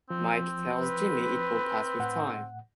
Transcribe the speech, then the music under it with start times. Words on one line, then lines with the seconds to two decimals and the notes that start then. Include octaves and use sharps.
Mike tells Jimmy it will pass with time.
0.10 F3 C4
0.76 B4
1.99 A2 F#5